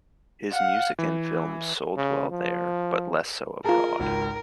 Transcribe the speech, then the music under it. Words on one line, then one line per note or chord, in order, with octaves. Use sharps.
His music and films sold well there but less so abroad.
F5 F#5
E3
C#3
F3
F4 G#4 A#4 A5 A#5
G#1 C#2 A#4